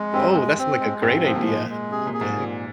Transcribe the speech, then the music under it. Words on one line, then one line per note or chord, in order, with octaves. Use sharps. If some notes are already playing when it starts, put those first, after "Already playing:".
Oh, that's, like, a great idea. What the heck?
Already playing: F2 G#3
G2 C4
G#3
C4
G#3
G#2 C4
C3
G#2 F3
A#2
G#3
G#3
C3 G#4
A#2
G#4
G#2
A#2